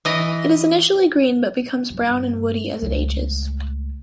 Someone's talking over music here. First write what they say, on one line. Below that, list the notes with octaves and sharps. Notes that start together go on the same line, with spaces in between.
It is initially green but becomes brown and woody as it ages.
E3 D#5
G2
C#2 A3